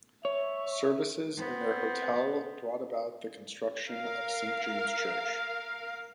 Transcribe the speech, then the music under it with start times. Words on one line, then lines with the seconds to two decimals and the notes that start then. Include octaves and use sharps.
Services in their hotel brought about the construction of St James Church.
0.25 C#5 E5
1.37 B3 C4
3.89 A#4 F5